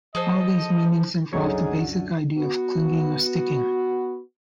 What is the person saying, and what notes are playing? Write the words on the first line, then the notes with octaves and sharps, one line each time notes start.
All these meanings involve the basic idea of clinging or sticking.
F3 G#4 A4 C5 D#5
C2 F#2 D3 F#3 D#4 G#4 C#5
B3 F#4